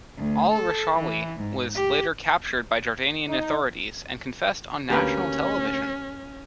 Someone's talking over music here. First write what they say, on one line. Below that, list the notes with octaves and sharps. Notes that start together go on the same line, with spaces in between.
Al-Rishawi was later captured by Jordanian authorities and confessed on national television.
D2
A4
E3
G#2
G4
D#4
D2 A#3 C#4 G4 A#4 B4